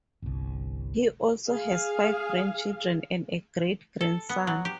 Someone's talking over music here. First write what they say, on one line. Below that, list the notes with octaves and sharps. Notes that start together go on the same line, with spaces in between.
He also has five grandchildren and a great-grandson.
G1 C2
G#4 F5
A4
B3
F#3
G4